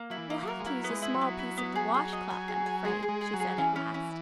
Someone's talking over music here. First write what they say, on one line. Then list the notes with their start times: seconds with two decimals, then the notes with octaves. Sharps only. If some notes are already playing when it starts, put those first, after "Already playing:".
"We'll have to use a small piece of the wash-cloth, I'm afraid," she said at last.
Already playing: A#3
0.10 F#3 E4
0.17 E3
0.30 A#3
0.43 F#3 A#4
0.60 G#3
0.66 F#3 E4
0.84 B3
0.90 G#3
1.02 E4
1.14 F#3
1.21 B3
1.39 E4
1.57 B3
1.75 G#4
1.94 G#4
2.12 D#5
2.30 G#5
2.48 G#4
2.66 G#5
2.85 G#3 G#4
3.03 G#4
3.09 G#3
3.21 G#4
3.33 F#3
3.40 G#4
3.58 E3 C#4
3.76 C#4
3.94 C#4